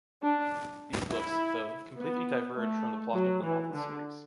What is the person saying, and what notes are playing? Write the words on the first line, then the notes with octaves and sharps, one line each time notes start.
These books, though, completely diverge from the plot of the novel series.
D4
E4
B3
A3
F#3
E3
D3